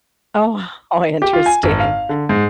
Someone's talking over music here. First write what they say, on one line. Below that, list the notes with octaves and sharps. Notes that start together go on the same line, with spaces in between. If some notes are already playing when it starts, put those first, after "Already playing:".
Oh, how interesting
G4
F4
G#5
G#1
F5
D3
G#2